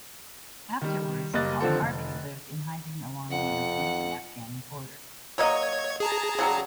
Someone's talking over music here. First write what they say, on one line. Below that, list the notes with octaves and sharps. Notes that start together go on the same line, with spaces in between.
Afterwards, Al-Harbi lived in hiding along the Iranian-Afghani border.
D#3 G3
F#1 G3 A#3 D#5 F#6 A6
D3 D#3 F3 C4 A4
F1
F2 F#5
F#3 A#3 C#5 D#5 G#6
G#4 A5 A#5
C#3 F#3 G3